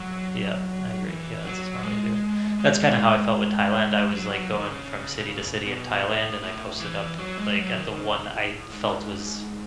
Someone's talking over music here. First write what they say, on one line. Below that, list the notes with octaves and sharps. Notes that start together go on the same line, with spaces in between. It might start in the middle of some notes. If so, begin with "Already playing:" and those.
Yep, I agree. Yeah, that's a smart way to do it. That's kinda how I felt with Thailand, I was, like, going from city to city in Thailand, and I posted up, like, at the one I felt was,
Already playing: F#3
E3
F#3
G#3
G#3
F#3
F#3
D#3
C#3
B2
A2
A2
E3
F#3
G#3
F#3
D#3
C#3
A2
G#2